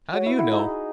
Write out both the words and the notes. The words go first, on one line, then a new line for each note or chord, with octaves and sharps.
How do you know?
F#4 C#5
E4
E4 G#4
D#4 A4
G#4